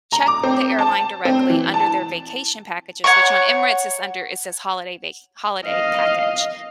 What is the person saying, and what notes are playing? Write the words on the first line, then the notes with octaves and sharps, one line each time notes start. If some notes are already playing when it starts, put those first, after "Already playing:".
check the airline directly under their vacation packages, which on Emirates is under it says holiday va holiday package,
A#5
D6
C4
A5
C4
E3
A5
C#5 F#5 A#5 C#6
D#5 F5